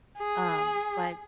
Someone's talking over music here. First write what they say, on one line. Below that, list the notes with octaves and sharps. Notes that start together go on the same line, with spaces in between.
Um, but
G#4